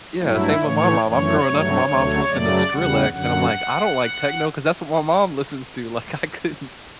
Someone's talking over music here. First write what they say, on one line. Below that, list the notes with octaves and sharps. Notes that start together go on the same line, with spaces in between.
i yeah, same with my mom, I'm growing up and my mom's listening to Skrillex, and I'm like, "I don't like techno 'cause that's what my mom listens to," like, I couldn't
G2 F#3 A3 E4
A2 E3 A3 C#5
F#2 E3 A3 C#5
G2 F#3 A3
D2 D3 F#3 A3
F#2 C#3 F#3 A3 D5
E2 C#3 G3 F#5
F#2 D3 F#3 F#5